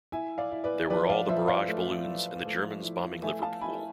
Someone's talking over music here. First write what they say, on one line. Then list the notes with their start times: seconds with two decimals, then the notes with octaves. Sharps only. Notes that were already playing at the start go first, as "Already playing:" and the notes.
There were all the barrage balloons, and the Germans bombing Liverpool.
0.12 E4 E5 G#5
0.38 D5 F5
0.52 E4
0.64 B4 D5
0.90 F3 B4 D5
1.09 D5 F5
1.28 F3 C5 E5
1.48 D5 F5
1.68 A3
2.06 F3
2.46 A3
2.84 E4
3.23 A3 E5 G#5
3.42 F5 A5
3.61 E4 G#5 B5